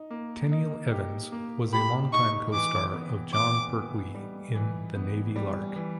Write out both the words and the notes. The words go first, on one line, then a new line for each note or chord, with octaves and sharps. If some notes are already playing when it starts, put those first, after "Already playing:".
Tenniel Evans was a long-time co-star of Jon Pertwee in "The Navy Lark".
Already playing: D#4
A#3
D#4
G4
A#3
G4 B5
D#4 C#6
E3 D6
B3
B3 D6
B3
G3
E3
B3
G3
E3